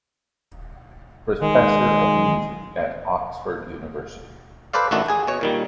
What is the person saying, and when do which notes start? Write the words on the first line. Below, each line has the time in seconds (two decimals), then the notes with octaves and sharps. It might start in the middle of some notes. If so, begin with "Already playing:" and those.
Professor of Music at Oxford University.
1.42 D#3 G#3
4.73 A4 B4 C5 D5 F5
4.91 A1 D#3 A3 D4 F#4 A4
5.08 G#4 G#5
5.27 B2 C#5
5.41 A#2 D#3 G3